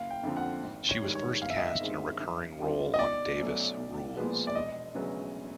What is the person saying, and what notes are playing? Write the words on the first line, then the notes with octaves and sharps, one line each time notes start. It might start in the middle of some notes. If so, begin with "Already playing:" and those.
She was first cast in a recurring role on "Davis Rules".
Already playing: F#1 F5
G5
F2 D3 F3
F#5
G#1
C#5
G#2 D#3 G3
C#5
G1 F5
E5
D#5
E5
G2 D#3 G#3 C4
F#2
D3 G3 C4 F4
D#5
B1 D5
B2 F#3 A3 C#4
B1
A#2 F3 G#3 B3
D5
E1 D#5
D2 C#3 F#3 B3